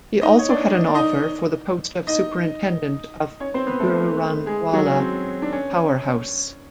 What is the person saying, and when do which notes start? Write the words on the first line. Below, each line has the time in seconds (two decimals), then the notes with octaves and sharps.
He also had an offer for the post of superintendent of Gujranwala Power House.
0.21 D#4 D#5
0.39 C#5
0.49 D4 D5
0.75 D#5
0.85 D5
0.94 D#4 D#5
2.07 D#4 D#5
3.40 C#4 C#5
3.54 C4 C5
3.66 B3 B4
3.80 A3 A4
4.46 G#3 G#4
4.73 F#3 F#4
4.92 C#4
4.99 C4
5.42 D4
5.53 C#4